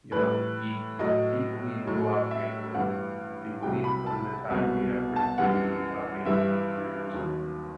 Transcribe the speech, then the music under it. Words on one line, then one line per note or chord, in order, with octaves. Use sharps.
you know, you y people need to go out, and make a living, people need to put in the time, and the effort to, uh, maintain careers,
A2 E3 G3 B4
A2 F#3 D#5
A2 F#3
E5
G2 E3 G3 F#5
C2 C3 F#3 G5
B5
A5
C2 B2 F#3
A5
F#2 E3 G3 F#5
G2 E3 G3 E5
D#2 D#3 F#3